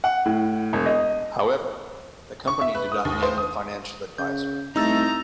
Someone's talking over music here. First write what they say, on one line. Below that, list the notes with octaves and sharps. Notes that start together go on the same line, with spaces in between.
However, the company did not name the financial adviser.
F#5
A2
E1
D#5
C#6
E5
B4
D#6
D#2
C5
D#6
C#3 G6
C2 A3 D#4 A#5 E6 A6